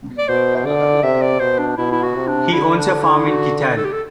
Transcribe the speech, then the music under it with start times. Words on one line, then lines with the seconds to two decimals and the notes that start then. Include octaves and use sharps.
He owns a farm in Kitale.
0.18 D5
0.28 B2 C5
0.57 C5
0.65 D3 D5
1.03 C3 E5
1.22 D5
1.40 B2 C5
1.58 D4
1.77 B2 E4
1.92 E4
2.03 F#4
2.15 C3
2.28 D4
2.53 D3 E4
2.78 D4
3.03 E4
3.28 F#4
3.77 A4
3.85 G4
3.93 A4